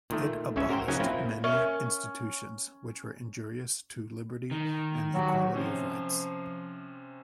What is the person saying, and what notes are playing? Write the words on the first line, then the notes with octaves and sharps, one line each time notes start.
It abolished many "institutions which were injurious to liberty and equality of rights".
A#2 D#3 A3
C#2 C#3 E3 C#4 E5 G#5
F#4 A#4 C5 G5
C#3 F#3 C#4 D#4 F5 G#5
A#3 C4 E4 F4
C#4 A#4 E5
D#3
F#3 F#4 G4
C3 F3 C#4 C5